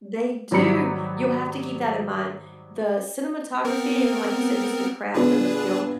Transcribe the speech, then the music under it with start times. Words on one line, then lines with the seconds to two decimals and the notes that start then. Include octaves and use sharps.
They do, you'll have to keep that in mind, the cinematography and, like you said, just the craft of the film,
0.51 G#1 F#3 G3 B5 C#7
3.65 B3 C4 A#4
5.14 A#2 D3 B3 D4 G#4 B4